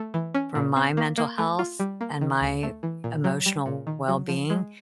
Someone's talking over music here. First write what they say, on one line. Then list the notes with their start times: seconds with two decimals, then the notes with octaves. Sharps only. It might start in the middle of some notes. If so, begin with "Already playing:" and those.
for my mental health and my emotional wellbeing,
Already playing: A3
0.14 E3
0.35 C#4
0.55 A#2
0.76 C4
0.97 A#3
1.18 A#3
1.38 A3
1.59 F4
1.80 G3
2.01 A#3
2.21 D#3
2.41 D2
2.63 A3
2.83 E3
3.04 A#2
3.24 F#3
3.46 G3
3.66 A#2
3.87 D#3
4.08 F#3
4.28 F3
4.50 G#3